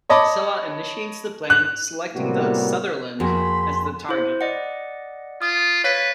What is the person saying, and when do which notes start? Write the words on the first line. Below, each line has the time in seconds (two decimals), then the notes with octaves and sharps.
Sela initiates the plan, selecting the "Sutherland" as the target.
0.09 C#5 D#5 A5 B5 D6
1.50 F#6
2.15 A2 C3 G3 A#3 B3 F#4
3.20 F2 A#3 F#4 G#4 B5 C6
4.09 E4 C5
4.41 D5 D#5 F#5
5.42 F4 D#6
5.84 B4 C#5 F5 A6